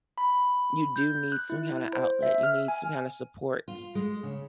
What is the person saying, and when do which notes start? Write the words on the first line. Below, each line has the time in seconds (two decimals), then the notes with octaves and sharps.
you do need some kinda outlet, you need some kinda supports,
0.18 B5
0.96 G6
1.32 F#6
1.50 E4
1.93 C5
2.23 E5
2.43 F6
2.68 G#5
3.68 F4
3.95 G#3
4.23 C#3